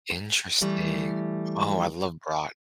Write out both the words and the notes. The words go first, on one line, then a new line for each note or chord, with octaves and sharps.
Interesting, oh, I love brat.
E3 G3 A3